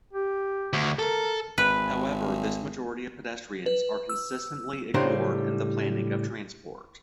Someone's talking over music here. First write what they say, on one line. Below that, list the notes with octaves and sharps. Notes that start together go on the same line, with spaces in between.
However, this majority of pedestrians are consistently ignored in the planning of transport.
G4
D2
A4 A#4
G#1 B4
B4
E6
A2 C#3 G3 D4 C5 A#5